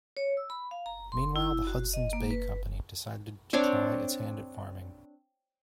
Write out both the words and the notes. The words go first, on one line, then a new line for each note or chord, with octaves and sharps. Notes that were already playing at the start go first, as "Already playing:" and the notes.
Meanwhile, the Hudson's Bay Company decided to try its hand at farming.
C#5
E6
B5
F5
A#5
C6
E4
F#4
D#5
A#3
B4
C4 D4 C#5 D5